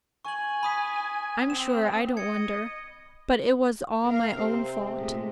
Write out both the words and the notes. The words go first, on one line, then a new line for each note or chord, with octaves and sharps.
I'm sure I don't wonder, but it was all my own fault.
G#5 C#6 F#7
B5 D#6 B6
C4 E7
D#5 G#6 C#7
A#4 F5
C3 C4
A#2 G#3 A3